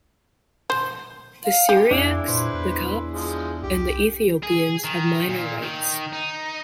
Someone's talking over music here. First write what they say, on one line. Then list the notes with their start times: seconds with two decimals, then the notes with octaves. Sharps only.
The Syriacs, the Copts, and the Ethiopians have minor rights.
0.70 C5
1.44 F5
1.69 G4
1.91 F2 D4 E4 G#4
2.28 A#2 B4 C5
2.53 E2
3.14 F3 G#3
3.63 C2 G4
4.43 G#4
4.84 D#3
5.29 A#2
5.62 D#3
6.13 D#4